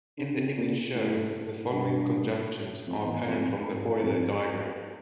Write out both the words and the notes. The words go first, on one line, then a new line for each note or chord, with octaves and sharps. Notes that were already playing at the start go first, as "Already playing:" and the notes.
In the image shown, the following conjunctions are apparent from the Euler diagram.
D3
C3
A#2
A2
G2
F2
E2
F2
F2